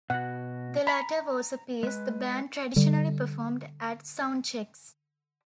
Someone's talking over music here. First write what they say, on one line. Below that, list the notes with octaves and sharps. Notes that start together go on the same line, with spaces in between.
The latter was a piece the band traditionally performed at soundchecks.
B2 F#4 F#5
A#5 B5
G#3 B4
D3 G3